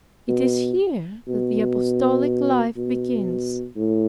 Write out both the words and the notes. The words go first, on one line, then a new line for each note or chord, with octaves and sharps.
It is here that the apostolic life begins.
B2
B2
B2
A2